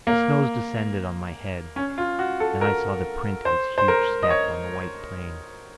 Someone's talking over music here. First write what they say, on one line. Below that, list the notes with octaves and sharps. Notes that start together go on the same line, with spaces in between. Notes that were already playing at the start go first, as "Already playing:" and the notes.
The snows descended on my head, and I saw the print of his huge step on the white plain.
A#3
C#4
F4
F#4
A4
A#4
C5
C5
A#4
D#5
C#5